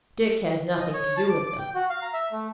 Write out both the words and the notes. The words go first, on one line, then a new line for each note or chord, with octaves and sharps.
Dick has nothing to do with them.
D#5
C#5
A5
D6
D6
G5
F#4
F5
A#5
E5
A3